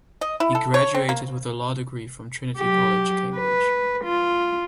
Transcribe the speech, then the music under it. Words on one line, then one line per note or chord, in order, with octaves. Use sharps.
He graduated with a law degree from Trinity College, Cambridge.
D#5
E4
A4
C#5
C4
A#3
F#3 G4
B4
F4